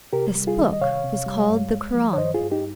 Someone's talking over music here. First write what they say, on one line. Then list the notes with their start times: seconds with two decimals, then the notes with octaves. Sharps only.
This book was called the Koran.
0.13 C3 G4 A#4
0.35 G3
0.47 F4 G#4
0.59 D#3
0.73 D#5
0.81 C3 C#5 F5
1.04 C3
1.26 G3
1.49 G2
1.72 G#3
1.95 F3
2.13 C#5
2.17 G2 C5 D#5
2.34 F4 G#4
2.41 G2
2.51 D#4 G4